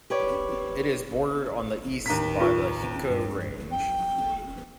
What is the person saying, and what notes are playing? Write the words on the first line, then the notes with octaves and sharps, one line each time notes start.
It is bordered on the east by the Hiko Range.
G4 B4 C#5 D5
D#2 A2 A#5 B6
F4 B4 C#6
G2
G5